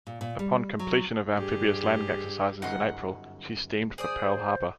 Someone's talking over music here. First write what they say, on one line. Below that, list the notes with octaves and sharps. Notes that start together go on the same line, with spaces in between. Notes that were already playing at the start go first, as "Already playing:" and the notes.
Upon completion of amphibious landing exercises in April, she steamed for Pearl Harbor.
A#2
A#2
G3
F#3
G2 G4 G#4
G1 F#2 D#4 F#5 C6
G#4 C5 D5 D#6